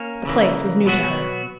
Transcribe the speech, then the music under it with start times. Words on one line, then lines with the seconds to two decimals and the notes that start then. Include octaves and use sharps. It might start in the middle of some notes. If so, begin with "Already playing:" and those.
The place was new to her.
Already playing: A#3 C#4
0.25 C#3 E3 A#3
0.85 B2 F#3 B3 F#4